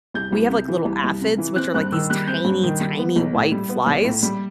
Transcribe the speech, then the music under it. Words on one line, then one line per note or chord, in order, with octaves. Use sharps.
we have, like, little aphids, which are, like, these tiny, tiny white flies,
C2 G6
C2
C3
E3
C2
C2
C3
E3
C4 F#6
G2 F#6
D#3 E6
G3 F#6
C4 G6
G2
D#3
G3
B3
B1
A2
G3
B3
B1
A2
G3